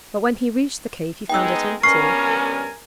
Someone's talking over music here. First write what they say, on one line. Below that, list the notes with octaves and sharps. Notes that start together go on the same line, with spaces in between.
But when he reached the cave he found it empty.
G#3 B3 D#4 G5 E6
G2 B3 C#4 A#4 G#5 C#6 F6 C7